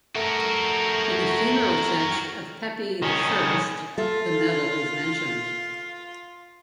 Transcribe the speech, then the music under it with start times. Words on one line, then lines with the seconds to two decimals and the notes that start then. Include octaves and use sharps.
In the funeral text of Pepi the First, the metal is mentioned.
0.16 A3 F#4 A#4
3.02 D#3 C#4
3.98 F4 A4 E5